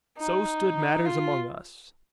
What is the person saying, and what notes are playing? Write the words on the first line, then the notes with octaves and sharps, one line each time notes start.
So stood matters among us.
D#4
F4